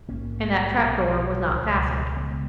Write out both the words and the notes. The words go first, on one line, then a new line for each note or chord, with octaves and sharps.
And that trap-door was not fastened.
A#1 G#2 A#3 C#4
B1 A#2
C#2 B2
C#2 C#3 G#3 B3